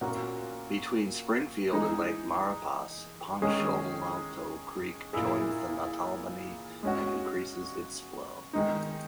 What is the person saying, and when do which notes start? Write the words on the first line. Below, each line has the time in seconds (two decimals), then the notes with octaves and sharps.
Between Springfield and Lake Maurepas, Ponchatoula Creek joins the Natalbany and increases its flow.
0.01 A#2 A#3 C#4 F#4
1.72 E3 G#3 D#4 G#4
3.42 D#3 G#3 C#4 G#4
5.13 A#2 A#3 E4 G#4
6.83 G#3 C#4 F#4
8.53 D#3 G#3 D#4